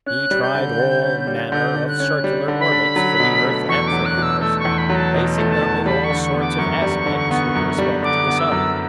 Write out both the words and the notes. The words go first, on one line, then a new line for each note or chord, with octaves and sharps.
He tried all manner of circular orbits for the earth and for Mars, placing them in all sorts of aspects with respect to the sun.
C#4 F#6
G3
G6
D3
D3
C#4
G3
D3 G6
D3
F#6
C#4
G3
D3
B5
D3
F#3
B2
A3
E2 C#6
D6
F#3
F#6
B2
E6
A3 E6
C#6
E2
B5
F#3
A5
B2
A3
A5
E2
G3 B5
C#6
D3
C#6
B3
D6
F#2 C#6
G3
D3
B3
F#2
G3
D3 D6
B3
E6
F#2